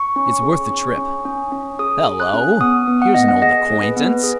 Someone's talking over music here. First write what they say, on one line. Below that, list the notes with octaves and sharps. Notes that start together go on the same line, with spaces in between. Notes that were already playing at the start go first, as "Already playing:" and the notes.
It's worth the trip. Hallo! here's an old acquaintance.
Already playing: C#6
C#4
G#4
C#4
C#4
C#4
C#4
G#4 D#6
G#4
F#6
C#4
B3 D#6
B3
F#5
B3 D#5
F#5
G#4 D#5
G#4
B4
B3
G#4